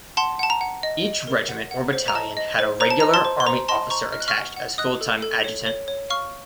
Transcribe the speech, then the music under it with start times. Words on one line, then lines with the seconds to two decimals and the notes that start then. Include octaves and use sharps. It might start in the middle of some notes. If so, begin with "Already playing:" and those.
Each regiment or battalion had a Regular Army officer attached as full-time adjutant.
0.17 F#5 A5 C6
0.39 F#5 A5
0.50 A#5
0.61 F#5
0.83 D#5
1.05 D#5
1.27 A#4
1.49 F#5
1.71 F#5
1.93 C5
2.08 A#5
2.15 D#5 A5
2.37 D#5
2.59 C5
2.80 C5 A#5
2.91 A5
3.00 D#5 A#5
3.14 A5 C6
3.25 C5
3.40 C6
3.47 C5 A#5
3.68 D#5 A5 C6
3.90 C5 A#5 C#6
4.12 D#5 F6
4.20 F#6
4.28 C#6 F6
4.34 F#5
4.57 F#5
4.78 D#5 D#6 F#6
5.01 A4
5.22 A4
5.44 C#5
5.66 C#5
5.88 C#5
6.10 F5 C#6 F6